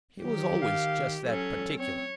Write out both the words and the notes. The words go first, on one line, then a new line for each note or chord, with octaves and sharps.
He was always just that particular.
D#3 F#3 G4
F5
F#3 C#4 A4
C4 C#5